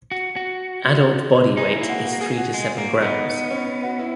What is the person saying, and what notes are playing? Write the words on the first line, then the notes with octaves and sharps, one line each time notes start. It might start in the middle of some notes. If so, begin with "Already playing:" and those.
Adult body weight is three to seven grams.
F#4
F#4
D#4 G#4
E4
A#3
F#4
F#4
G#4
F#4
G#3
A#3
B3 D#4
C#4
F#4
E4